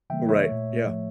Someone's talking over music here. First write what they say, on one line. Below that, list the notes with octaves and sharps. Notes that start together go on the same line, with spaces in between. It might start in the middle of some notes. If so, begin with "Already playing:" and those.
Right, yeah.
C#3 E3 G3 A#3 E5 G5
C#5 E5
A#2 A3
A2 F3 A3